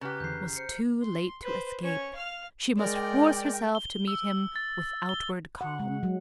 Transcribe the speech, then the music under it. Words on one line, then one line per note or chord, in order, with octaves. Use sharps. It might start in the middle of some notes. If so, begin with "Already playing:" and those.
It was too late to escape; she must force herself to meet him with outward calm.
C#3 G4 B4 A#5 F6 B6
F2 D3 E3 G6 C7
C5 C7 C#7
C6
B4 C5
C#4 C#5
F5 F6
G#3 A#4 D5 G5
G7
E6
A6
G7
F#5
G#3
F#3